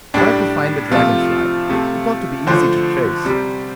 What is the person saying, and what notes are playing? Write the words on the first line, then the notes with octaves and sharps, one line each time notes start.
Try to find the Dragon Fly--it ought to be easy to trace.
A2 G3 D4
C3 F3 A3 F4
C3 A3
D3 F3 A3 C5
C3 G3